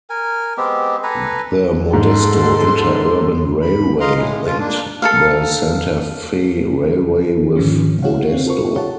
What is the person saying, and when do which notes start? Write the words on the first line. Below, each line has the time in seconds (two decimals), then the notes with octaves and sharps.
The Modesto Interurban Railway linked the Santa Fe Railway with Modesto.
0.10 A#4 G#5
0.57 G#3 B3 C4 G4
1.03 A4 B4 G#5 A#5
1.93 G#2 A4 C6
3.62 B5
4.01 D#5 F5 A#5 C6
4.16 A2 G#3
4.46 B2 F4
4.60 A#3 D4
5.02 A4 A#4 F5
7.56 G#2 D3 D#3 F3 C#4
8.02 E4 F#4 G#4 C#5 F5 F#5
8.33 C4
8.47 F4 A4 A#4 C5 C#6
8.75 G4 C#5 F#5 A5